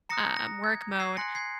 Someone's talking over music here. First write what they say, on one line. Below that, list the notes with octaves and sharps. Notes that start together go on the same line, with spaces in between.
um, work mode,
A#5 D#6 F#6 A#6 C#7
A#6
G#6
G#6 C7
G#5 C6 F#6 A#6 C#7
G#6 C7